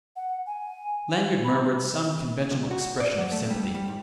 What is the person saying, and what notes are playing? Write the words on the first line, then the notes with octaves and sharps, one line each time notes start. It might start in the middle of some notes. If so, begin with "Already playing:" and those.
Lanyard murmured some conventional expression of sympathy.
F#5
G#5
B5
C#2
F#4
D5
F#3
A3
G3
G3
G#2